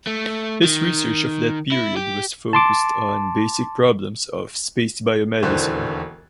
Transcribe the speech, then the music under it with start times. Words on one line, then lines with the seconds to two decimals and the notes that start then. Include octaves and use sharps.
His research of that period was focused on basic problems of space biomedicine.
0.07 A3
0.64 D#3
1.72 E4
1.96 G4
2.53 A5 C6 D6
5.43 E1 D#2 D3 E3 C5 F#6